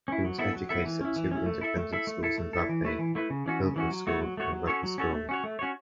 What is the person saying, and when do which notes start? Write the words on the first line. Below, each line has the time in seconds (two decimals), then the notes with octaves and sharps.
He was educated at two independent schools in Rugby: Hillbrow School and Rugby School.
0.08 C#4 E4
0.25 F#3
0.39 B3 E4 A4 E5
0.55 F#3
0.69 B3 E4 A4 E5
0.85 E3
1.01 C#4 E4
1.16 E3
1.31 C#4 E4
1.46 A3
1.61 E4 A4 E5
1.77 A3
1.93 E4 A4 E5
2.07 A3
2.23 E4 A4
2.38 A3
2.53 E4 A4
2.69 E3
2.85 A3 E4 B4
2.99 E3
3.15 A3 E4 B4
3.30 C#3
3.46 E3 C#4 F#4
3.60 C#3
3.76 E3 C#4 F#4
3.91 F#3
4.07 A3 F#4 C#5
4.21 F#3
4.37 A3 F#4 C#5
4.53 F#3
4.67 C#4 F#4 A4 C#5
4.83 F#3
4.98 C#4 F#4 A4 C#5
5.13 A3
5.29 C#4 F#4 C#5
5.44 A3
5.59 C#4 F#4 C#5